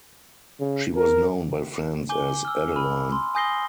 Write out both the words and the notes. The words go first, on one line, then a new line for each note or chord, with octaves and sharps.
She was known by friends as "Adeline".
C#3
A#4
G#5 D6 G6 G7
E6 F6
B5 F6
C6
G#5 D#6 G6 A#6 C7 G7